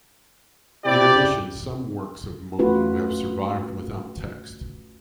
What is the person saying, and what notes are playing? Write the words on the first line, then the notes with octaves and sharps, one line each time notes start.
In addition some works of Moulu have survived without text.
C3 E4 G4 D5
A3 C#4 F4 F#4 B4